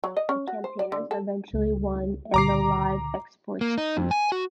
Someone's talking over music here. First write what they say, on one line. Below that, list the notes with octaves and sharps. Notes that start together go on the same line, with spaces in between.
The campaigners eventually won and the live exports ceased.
F#3
D#5
C#4
F#4
C5
D5
D3
A4
C#2 G#3
C#2 A#2 D3 A#5 D6 C7
A#3
D#4
F2
G#5
F#4